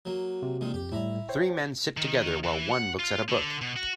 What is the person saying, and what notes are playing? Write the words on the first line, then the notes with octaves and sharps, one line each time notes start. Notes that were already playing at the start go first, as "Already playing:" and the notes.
Three men sit together while one looks at a book.
F#3 A#3
C3
A#2 D#3 G#3
F2 G4
A2 G3 E4 A#5
C5 C#5 G5
D#3
E3
F#5
F4
D3
B2
F#4